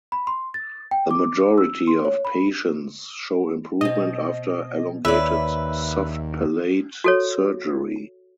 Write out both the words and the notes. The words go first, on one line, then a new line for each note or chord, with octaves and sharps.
The majority of patients show improvement after elongated soft palate surgery.
B5
C6
A6
G5
D6
E6
C6
C#5
B5
B2 C4 D#5
D#2 B4 C#5 D5 E5
F#4 A4 C#5